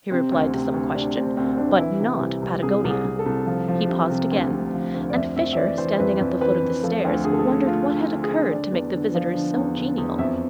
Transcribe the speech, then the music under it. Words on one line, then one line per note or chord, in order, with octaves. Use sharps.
He replied to some question, "but not Patagonia," he paused again, and Fisher standing at the foot of the stairs wondered what had occurred to make the visitor so genial.
C3 C4
D2
C3
D2
C3 D4
D2 C4
D2 C4
D2 D4
E3 E4
C3
C2
C2
C2 G#4
C2
G#4
C2
A4
C2
F3
F3
C3
C3
D2
C3
F3
D2
D5
F2 E5
F2 E5
E5
E3 D5
E3 C5
F2 B4
F2
E3 B4
F2
F3 A4
D2
D3 G#4
A4
G#4
D3 A4
G#4
D3 F4
D3
D3
G#4
D3
D3 D5
E2
D3
F3
D3
E2
D3
E2
F2 E5